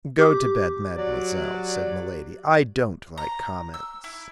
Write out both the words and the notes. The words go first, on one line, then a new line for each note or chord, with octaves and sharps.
"Go to bed, mademoiselle," said Milady; "I don't like comments."
G4 D6
F#3 D5
A#5
E6
E4